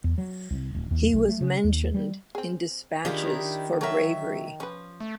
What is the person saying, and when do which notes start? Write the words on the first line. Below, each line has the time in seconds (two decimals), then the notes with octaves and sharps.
He was mentioned in despatches for bravery.
0.04 E2
0.18 F#3
0.51 C2
0.75 D1
0.91 D#2
1.13 B1
1.28 A3
1.41 C#3
1.64 D#2
1.94 G3
2.35 C4 G#4
3.05 D#3 D4 E4 F4 G4 G#4
3.81 F#3 A4 A#4 E5
4.60 F3 C#4 B4
5.00 A3